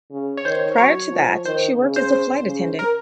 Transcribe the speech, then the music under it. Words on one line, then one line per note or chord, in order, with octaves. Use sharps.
Prior to that, she worked as a flight attendant.
C#3
C#5
D#3 C5
F#3 C#5
F3
D#3 C5
C#3
C5
C5
C#3
A#4